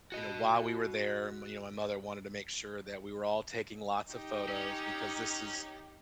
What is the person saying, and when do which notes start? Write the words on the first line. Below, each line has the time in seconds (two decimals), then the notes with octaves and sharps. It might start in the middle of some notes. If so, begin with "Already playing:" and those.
you know, while we were there, m you know, my mother wanted to make sure that we were all taking lots of photos, because this is
0.12 F#4 D#5
4.11 D#4 G4
4.48 C#4